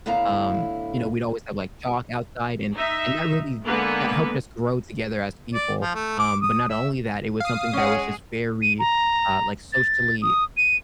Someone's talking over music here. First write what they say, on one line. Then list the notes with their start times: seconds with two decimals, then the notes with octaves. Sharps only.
Um, you know, we'd always have like chalk outside and and that really, that helped us grow together as people. Um, but not only that, it was something that was just very, uh, like socially,
0.06 A2 D3 B3 E4 F5 A#5
2.73 D#4 E5
3.66 D3 G#3 A#3 B3 B4
5.54 D5
5.81 F3
5.95 A3
6.20 D6
6.43 D#6
6.70 E5
7.40 F5 D#6
7.73 G#3 C#4 G#4 C#5 F#5
8.62 D#7
8.79 A#5
9.73 A6
10.22 D#6
10.57 D#7